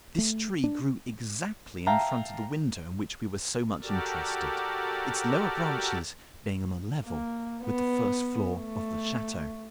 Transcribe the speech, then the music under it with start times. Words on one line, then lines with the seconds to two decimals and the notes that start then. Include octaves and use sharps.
This tree grew exactly in front of the window in which we were so much interested, its lower branches being on a level with the first floor of the chateau.
0.18 A3
0.64 D4
1.87 E5 F5 G5 A5 A#5
3.82 F#4 G4 A4 A#4 D5
7.05 A#3
7.64 B3
8.56 A3